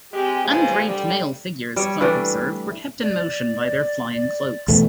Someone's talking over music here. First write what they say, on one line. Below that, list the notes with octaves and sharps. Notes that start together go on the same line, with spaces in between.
Undraped male figures, Clark observed, were kept in motion by their flying cloaks.
G#3 C4 G4
D#2 B2 D#3 F3 G#3
D3 G3
G3 C#5
E3 G3 A3 D4
D5
E2 B2 A3